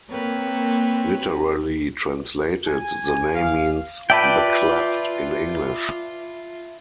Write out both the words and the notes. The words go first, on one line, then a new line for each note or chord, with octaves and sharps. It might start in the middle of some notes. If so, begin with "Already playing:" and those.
Literally translated, the name means 'the cleft' in English.
A#3 C4 B4 C#5
G#5
F5
F4 B4 D5 E5 G5 A5 B5